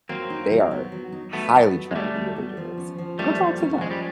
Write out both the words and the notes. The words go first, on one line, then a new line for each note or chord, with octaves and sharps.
They are highly trained individuals. Go talk to them."
F#3 A#3 C4
D#4
F#3
B3
F#3
D#4
F#3 A3 B3
B3
F#3
G#3
G3 A3 D#4
F#3
B3
F3
C#4
F3
G3 A3 A#3
F3
C#4
F3 G#3
G3